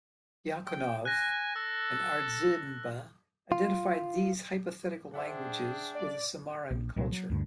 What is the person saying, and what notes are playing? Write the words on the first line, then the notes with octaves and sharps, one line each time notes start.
Dyakonov and Ardzinba identified these hypothetical languages with the Samarran culture.
G5
G#5 F#6 A#6
A4 E6
F4
D4 G#4 C5 E5 F#5 G5
D5
A#1
C2 A#2 F#3
F#3
D2 G2 D3